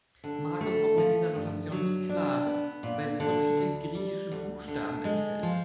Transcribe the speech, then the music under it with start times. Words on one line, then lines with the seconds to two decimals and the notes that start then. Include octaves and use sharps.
Marco kommt mit dieser Notation nicht klar, weil sie so viele griechische Buchstaben enthält.
0.24 D3
0.61 A3
0.98 F3
1.35 G2
1.72 F#3
2.09 D4
2.47 B3
2.83 A#2
3.20 D3
3.57 D2
3.95 G3
4.31 D2
4.68 D3
5.05 G#3
5.43 F3